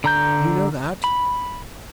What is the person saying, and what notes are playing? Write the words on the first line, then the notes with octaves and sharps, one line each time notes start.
"You know that?"
D3 A#5 G6
B5